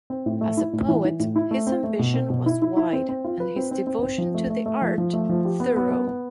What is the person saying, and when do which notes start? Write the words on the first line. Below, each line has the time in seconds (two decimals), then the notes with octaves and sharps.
As a poet, his ambition was wide and his devotion to the art thorough.
0.10 C4
0.26 A2
0.41 A3
0.57 E4
0.73 A2
0.89 E3
1.05 E3
1.20 A2
1.36 E4
1.51 A3
1.67 C4
1.84 A3
1.99 B2
2.14 C4
2.30 B2
2.46 E4
2.62 E4
2.77 E4
2.93 C4
3.09 C4
3.24 F4
3.40 B4
3.56 C4
3.71 C4
3.87 C4
4.03 C4
4.18 F3
4.35 A3
4.50 A3
4.66 A3
4.82 F3
4.98 F3
5.13 A3
5.29 F3
5.45 G4
5.60 B3
5.77 B3
5.91 B3
6.08 B3